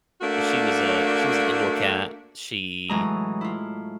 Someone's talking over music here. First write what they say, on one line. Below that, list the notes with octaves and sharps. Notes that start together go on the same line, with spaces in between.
She was a she was a indoor cat. She
A3 A#3 D4 F#4
A2 E3 F#3 G#3 A#5 D#6
E4 F4